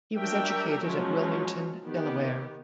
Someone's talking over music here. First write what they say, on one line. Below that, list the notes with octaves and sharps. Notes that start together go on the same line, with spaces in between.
He was educated at Wilmington, Delaware.
F#3 G3 D4 A#4 E5 G5
F3 F#3 G#3 C#4
D#3 B3 G4